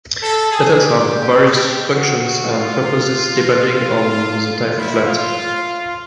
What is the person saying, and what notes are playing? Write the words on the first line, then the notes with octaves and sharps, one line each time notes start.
Petals have various functions and purposes depending on the type of plant.
A4
G#4
G4
F#4
F4
E4
F4